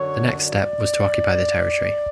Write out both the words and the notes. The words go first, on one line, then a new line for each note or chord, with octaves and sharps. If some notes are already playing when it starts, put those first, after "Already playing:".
The next step was to occupy the territory.
Already playing: F#2 D3 F#3 C#5
D5